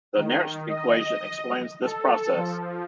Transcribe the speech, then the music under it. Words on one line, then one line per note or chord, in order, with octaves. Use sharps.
The Nernst equation explains this process.
D#3
D#5
A4
F3